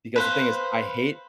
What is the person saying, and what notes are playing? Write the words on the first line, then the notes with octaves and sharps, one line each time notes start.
because the thing is, I hate
B4 C5 F5